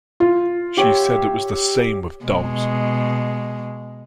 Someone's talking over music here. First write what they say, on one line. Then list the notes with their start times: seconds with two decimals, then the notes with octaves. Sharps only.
She said it was the same with dogs.
0.20 F4
0.77 G4 C#5 E5
2.25 B2 G#3